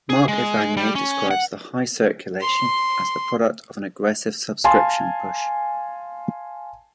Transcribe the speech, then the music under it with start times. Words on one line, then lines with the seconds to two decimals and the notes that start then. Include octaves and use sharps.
Mark Evanier describes the high circulation as the product of an aggressive subscription push.
0.10 G#4
0.28 G#3
0.77 G3
0.95 C#4
1.31 F#5
2.41 C6
4.64 F5 G#5 A5 C6